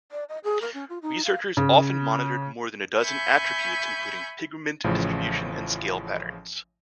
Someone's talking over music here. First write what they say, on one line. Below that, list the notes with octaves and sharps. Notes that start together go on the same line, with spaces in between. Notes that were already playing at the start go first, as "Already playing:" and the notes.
Researchers often monitored more than a dozen attributes, including pigment distribution and scale patterns.
D5
D#5
G#4
A#4
C#4
F4
D#4
F5
C#3
E5 G#5 B5 C#6 G6
A1 A2 C#3 F3